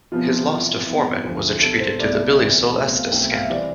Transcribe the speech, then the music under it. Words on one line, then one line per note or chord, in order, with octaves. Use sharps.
His loss to Foreman was attributed to the Billie Sol Estes scandal.
E1 E2 C3 F3 B3 F4
F4
F2 C3 E3 G3
F2 E3 B3
E1 D2 D3 F3 C4
B1 B2 G3 A4
C5
C2 B2 A3 D5
D2 C3 E3 B3
B1 B2 A3 C4
F5
B1 B2 A3 C4 G5
F5
E5
C3 E3 G3 C4 D5